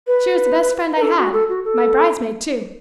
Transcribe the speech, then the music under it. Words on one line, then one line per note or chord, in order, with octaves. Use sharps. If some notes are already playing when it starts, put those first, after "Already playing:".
She was the best friend I had,--my bridesmaid, too.
B4
B4
A4
F#4
A4
F#4
A4